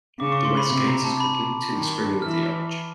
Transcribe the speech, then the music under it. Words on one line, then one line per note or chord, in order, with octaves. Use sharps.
The west gate is complete to the springing of the arch.
C#3 D6
C#6
C6
B5
C3 B5
A#5
A5
B5
D#3
E3 F6